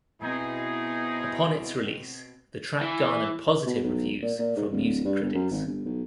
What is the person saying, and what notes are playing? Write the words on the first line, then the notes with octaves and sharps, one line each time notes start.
Upon its release, the track garnered positive reviews from music critics.
B2 C4 D#4 E4 G#4
E3
B2
B1
A#2
A#2
G#2
D1
G2
G1
F#2
G#1
G1
B1